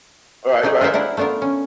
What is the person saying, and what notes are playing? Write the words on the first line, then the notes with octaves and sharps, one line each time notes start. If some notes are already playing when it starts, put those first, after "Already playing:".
Right, right.
A3 D4 D#4 G4 G#4
F4 G#4 A#4 C5 E5
D4 E4 A#4 F#5
A3 B3 D4 F4 A#4
C#4